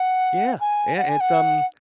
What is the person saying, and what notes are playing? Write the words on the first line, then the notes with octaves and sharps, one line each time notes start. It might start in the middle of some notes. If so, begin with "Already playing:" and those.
Yeah, yeah, it's, um,
Already playing: F#5
G#5
F#5
G#5
F#5